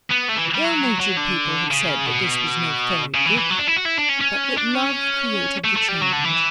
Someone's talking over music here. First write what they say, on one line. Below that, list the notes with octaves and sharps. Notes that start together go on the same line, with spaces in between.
Ill-natured people have said that this was no fairy-gift, but that love created the change.
B3
A3
E3
G3
F#3
F#3
D3
C#3
B2
C#3
E3
E3
F#3
D4
E4
F#4
E4
D4
C#4
C#4
D4
C#4
A3
A3
G3
F#3
D3
E3